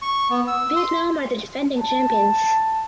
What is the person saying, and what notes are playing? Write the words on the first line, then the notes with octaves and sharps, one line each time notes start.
Vietnam are the defending champions.
C#6
B3
E6
C6
A5